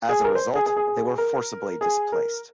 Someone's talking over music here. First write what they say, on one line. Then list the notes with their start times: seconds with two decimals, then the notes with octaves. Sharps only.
As a result, they were forcibly displaced.
0.09 G#4
0.24 A#4
0.35 C5
0.55 G#4
0.66 G#4
0.77 G#4
0.87 G#4
1.18 A#4
1.81 G#4
2.12 A#4